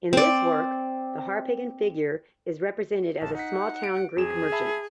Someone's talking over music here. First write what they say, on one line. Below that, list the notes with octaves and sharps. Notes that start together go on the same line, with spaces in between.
In this work, the Harpagon figure is represented as a small town Greek merchant.
C4 D5
A#1 A5
D#4 F#5 B6
D7
F2 G#4 E7
E5 A5 B5